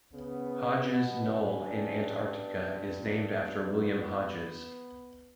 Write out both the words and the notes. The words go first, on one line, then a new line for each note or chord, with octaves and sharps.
Hodges Knoll in Antarctica is named after William Hodges.
C#3 B3
B2 B3
C#4
G2
B3
A#3
B3
A#2